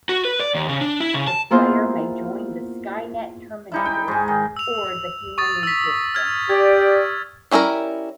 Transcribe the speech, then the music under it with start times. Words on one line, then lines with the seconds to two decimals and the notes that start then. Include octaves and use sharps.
The player may join the Skynet terminators or the human resistance.
0.09 F#4
0.25 B4
0.40 D5
0.55 D#2
0.69 C#3
0.81 D4
1.00 E4
1.14 C#3
1.27 A5
1.51 A#3 B3 E4 F4 G#4 C5
3.72 G3 D#4 E4
3.85 G5
4.08 G#2 G#4
4.28 D#3
4.57 E6 F7
5.38 C#6 D#6 A6
5.63 E6 B6
6.15 F6 G#6
6.50 G4 D5 G#6
7.51 G3 C#4 E4 A4 A#4